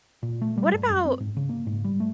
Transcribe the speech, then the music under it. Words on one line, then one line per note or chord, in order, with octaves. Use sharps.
what about
A#2
A3
G3
G2
F#2
C4
G#2
C#3
A#3
G#2
G3
A3